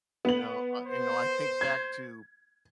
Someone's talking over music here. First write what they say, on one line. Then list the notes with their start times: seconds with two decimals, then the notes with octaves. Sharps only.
You know, uh, you know, I think back to
0.25 B3 F#7
0.86 C5
1.61 G#6